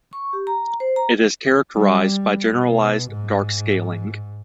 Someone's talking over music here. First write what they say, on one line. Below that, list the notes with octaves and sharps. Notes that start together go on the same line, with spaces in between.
It is characterized by generalized dark scaling.
C#6
G4
A#5
C5
A#5
G3
B2
G#2